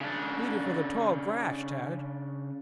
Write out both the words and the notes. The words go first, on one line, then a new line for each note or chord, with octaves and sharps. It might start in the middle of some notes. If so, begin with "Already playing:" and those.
"Beat it for the tall grass, Tad!"
C#3 D4